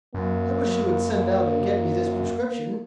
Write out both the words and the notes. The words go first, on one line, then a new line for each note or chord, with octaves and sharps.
"I wish you would send out and get me this prescription."
F#2 A#3